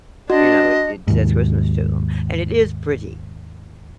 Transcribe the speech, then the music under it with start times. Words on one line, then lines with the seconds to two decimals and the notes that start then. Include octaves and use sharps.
you know, it it says Christmas to 'em. And it is pretty,
0.30 D4 F#4 D#5
1.08 D#2 G#2